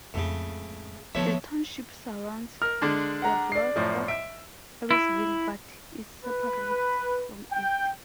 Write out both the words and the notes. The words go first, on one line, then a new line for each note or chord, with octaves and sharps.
The township surrounds the borough of Harrisville but is separate from it.
F2 A2 C#3 G#3
A2 D#3 F3 A#3 B3 C#5 E5
A#4 F6
D3 G#3 D4
F#5 A#5
D5 C7
F#2 A2 F3
E5 E6 D7
E4
B4
G5